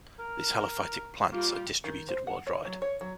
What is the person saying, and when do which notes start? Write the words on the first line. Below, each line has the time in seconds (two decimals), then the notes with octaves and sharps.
These halophytic plants are distributed worldwide.
0.19 A#4
1.32 G3 A#3 F4 G4
1.84 D#3
2.09 C5
2.27 F#5
2.47 C#5
2.65 F#3
2.82 C#5
3.01 F#3